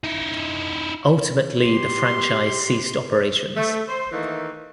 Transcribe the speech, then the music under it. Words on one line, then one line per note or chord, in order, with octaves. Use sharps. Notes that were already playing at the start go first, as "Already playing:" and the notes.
Ultimately the franchise ceased operations.
D#4 E4
G4 C6
A3
C5
D#3 E3 A3 A#3 D#4